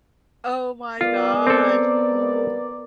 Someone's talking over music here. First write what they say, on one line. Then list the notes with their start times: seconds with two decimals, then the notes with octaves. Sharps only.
Oh, my gosh, no.
1.01 B3 F4 A#4 D5
1.47 C4 A4